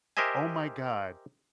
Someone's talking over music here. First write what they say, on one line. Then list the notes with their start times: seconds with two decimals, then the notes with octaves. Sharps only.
Oh my god.
0.17 G4 A#4 C5 D#5 E5 G#5